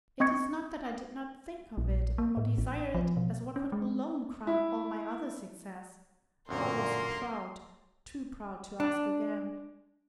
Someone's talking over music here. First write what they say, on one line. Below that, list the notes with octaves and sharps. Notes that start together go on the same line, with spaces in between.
It is not that I did not think of it, or desire it, as what could alone crown all my other success; but I was proud, too proud to ask again.
C4 D#5 C#6 G#6 C#7
A#1
A#3
A2
A1
F3
B2
C#4
G#3
E4
A1 F#2 A#2 D3 A#3 C#5 C6
D4